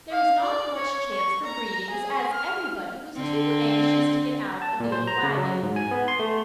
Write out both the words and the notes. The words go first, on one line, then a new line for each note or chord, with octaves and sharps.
There was not much chance for greetings as everybody was too anxious to get out of the old wagon.
F5
D5
C#5
C#6
A#5
G#4
F6
D3 C4
A5
A#2
C5
A#5
C#3
F#3
G#2
G#5
B3
C6
A3